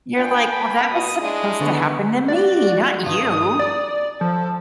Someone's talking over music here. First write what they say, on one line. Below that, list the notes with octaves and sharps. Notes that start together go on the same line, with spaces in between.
you're like, "Well, that was supposed to happen to me, not you."
D4 F4 G5 G#5
A5 B5
B2 D#6
G#3 D4 E4
D3 A3 B3 D#4 C#6
F#4 D5
G2 D#6
D5
F3 A4